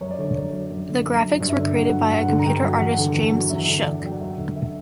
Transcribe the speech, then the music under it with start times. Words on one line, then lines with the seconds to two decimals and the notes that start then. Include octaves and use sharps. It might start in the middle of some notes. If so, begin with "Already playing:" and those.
The graphics were created by computer artist James Shook.
0.01 F#2 C#5
0.11 D5
0.18 D3 C#5
0.35 F#2 C#5
0.53 F#3
0.70 F#2
0.89 D3
1.06 F#2
1.24 F#3
1.40 G2 D5
1.49 E5
1.58 D3 D5
1.75 G2 F#5
1.93 F#3
2.10 G2 F#5
2.28 D3
2.39 A#5
2.45 G2 G5
2.63 F#3
2.80 E2 F#5
2.98 D3
3.15 E2
3.32 F#3
3.50 E2 E5
3.69 D3
3.74 E5
3.85 E2 D5
4.03 F#3 G5
4.13 F#5
4.21 F#2 E5
4.37 D3
4.55 F#2 E5